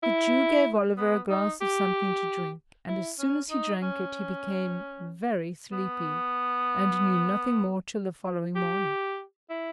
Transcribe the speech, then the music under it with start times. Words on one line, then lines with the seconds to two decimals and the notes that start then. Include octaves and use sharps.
The Jew gave Oliver a glass of something to drink, and as soon as he drank it he became very sleepy and knew nothing more till the following morning.
0.03 E4
0.97 B3
1.29 D#4
1.61 G4
2.88 E4
3.19 C#4
3.50 D#4
3.82 C#4
5.72 B3
8.56 G4
9.50 E4